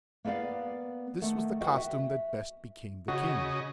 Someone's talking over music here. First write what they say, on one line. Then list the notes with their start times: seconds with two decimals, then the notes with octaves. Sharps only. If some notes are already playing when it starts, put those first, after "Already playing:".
This was the costume that best became the king.
0.25 A#3 B3 B4 D5 F5
1.21 D#3 A3 F#5
1.61 F#4 B4 D#5 F#5 G5
1.77 E5
3.08 C#3 F#4 D#5